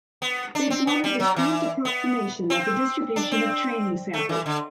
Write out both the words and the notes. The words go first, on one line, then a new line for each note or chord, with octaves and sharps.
They form a discrete approximation of the distribution of training samples.
B3
D4
C4
B3
G3
F#3
E3
B3
C4
D4
C4
A3
E3
D3